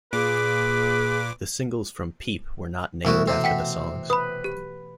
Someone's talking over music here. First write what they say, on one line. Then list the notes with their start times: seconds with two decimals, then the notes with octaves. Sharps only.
The singles from "Peep" were not named after the songs.
0.13 A#2 G#4 B4 D6
3.05 C2 B2 E3 A3 E4 F#4
3.27 C3 C4
3.44 F#5 G5 B6
4.10 B4 B5 D#6
4.44 G4